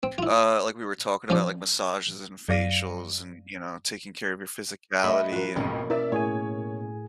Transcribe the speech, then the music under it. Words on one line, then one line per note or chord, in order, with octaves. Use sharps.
uh, like we were talking about, like, massages and facials and, you know, taking care of your physicality and
C4
E4 F4
F3 C#4 C5 D5
F#2 F#3 D5 F5 A#6 D#7
A3 A4 D#5 E5 B5
A#2 F3 F#4 A#4
A1 F2 G#2 B2 A#3 C#4
E4 A#4 D5 E5
A2 G#4 C#5 G#5